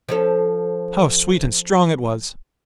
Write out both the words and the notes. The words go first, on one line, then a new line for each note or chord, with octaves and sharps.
How sweet and strong it was!
F3 C#4 A4